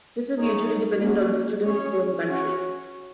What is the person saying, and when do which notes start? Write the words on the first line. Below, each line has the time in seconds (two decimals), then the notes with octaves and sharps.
This is usually dependent on the students' home country.
0.37 G#3 D#4 G#4 C#5
1.00 A#3 C#4 F#4
1.64 C#4 G#4 C#5
2.28 C#4 F#4 C#5